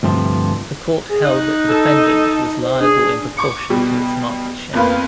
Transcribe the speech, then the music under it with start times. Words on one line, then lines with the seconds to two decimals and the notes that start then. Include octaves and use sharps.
The court held that the defendant was liable in proportion to its market share.
0.03 D2 G2 C3 F3
1.09 G#4
1.24 D#4 F#6
1.69 A4 A5
2.62 C5
2.81 D4 G#4
3.37 C#6 D6 C#7
3.70 B2 G3
4.73 F2 A#3 B3 F4 B4